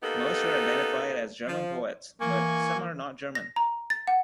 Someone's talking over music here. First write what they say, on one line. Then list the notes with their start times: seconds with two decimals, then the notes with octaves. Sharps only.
Most are identified as "German poets", but some are not German.
0.03 A#3 B3 D#4 G4 A4
1.46 F3
2.21 E3 A#3 G#5 C#6
3.35 A#6
3.56 A#5
3.90 A6
4.07 F#5